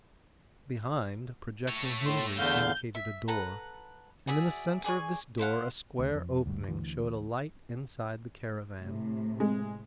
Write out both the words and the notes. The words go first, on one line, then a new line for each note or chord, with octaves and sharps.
Behind, projecting hinges indicated a door, and in the centre of this door a square opening showed a light inside the caravan.
A3 C#5
A2 C6
E2 D3 F5 G6
E5
A4 B4 F#5 A#5
F#4 G#4 D5 E5
G#4 D5 G#5 C#6
E4 C5 F5 F#5
D2
F2
D2 G2
D2 E3
A2 C3
G#3